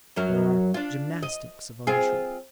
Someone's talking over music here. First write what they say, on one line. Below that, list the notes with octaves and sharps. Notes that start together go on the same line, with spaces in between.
There are gymnastics of untruth.
F#2 F#3 A#4
D4 F4
D#5
C4 F4 G#4